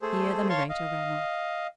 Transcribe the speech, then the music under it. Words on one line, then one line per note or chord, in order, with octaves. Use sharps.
Here the narrator rang off.
A3 G#4 A4 C5
C#5 F5 A5 C6 C#6
D#5 F5